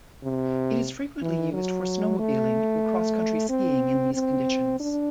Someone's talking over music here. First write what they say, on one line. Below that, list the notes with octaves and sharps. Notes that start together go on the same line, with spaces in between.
It is frequently used for snowmobiling and cross-country skiing in these conditions.
C3
E3
F#3
A3
C4
C4
D4